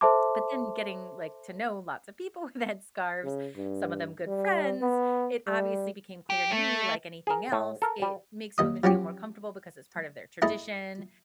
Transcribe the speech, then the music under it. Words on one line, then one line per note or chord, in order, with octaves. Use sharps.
but then getting, like, to know lots of people in headscarves- some of them good friends- it obviously became clear to me like anything else, it makes women feel more comfortable because it's part of their tradition.
A4 C5 E5 A5 C6 D6
C#3
G2
G3
B3
G3
G4
A3
G#4 A#4
A2
A4 A#4
G3
D#2 D#5 D#6
F3 F#3 C#4 G4
A3 D#4 E4 G#4 D#5